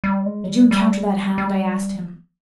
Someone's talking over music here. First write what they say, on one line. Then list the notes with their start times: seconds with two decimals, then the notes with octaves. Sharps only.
'Did you encounter that hound?' I asked him.
0.04 G3
0.26 G#3
0.44 F#3
0.48 G3
0.71 G3
1.38 G3